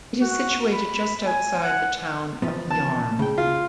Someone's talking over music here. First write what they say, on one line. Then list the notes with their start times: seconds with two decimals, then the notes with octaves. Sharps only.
It is situated just outside the town of Yarm.
0.21 F#4
0.72 B5
1.27 G#5
1.63 F#5
2.42 E3 F3 B3
2.71 A5
3.19 C#3 G5
3.38 F4